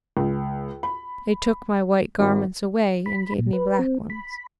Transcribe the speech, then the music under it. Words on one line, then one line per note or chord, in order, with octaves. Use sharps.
They took my white garments away and gave me black ones.
C#2
B5
G#1
B5
A#2
B4
C4
B5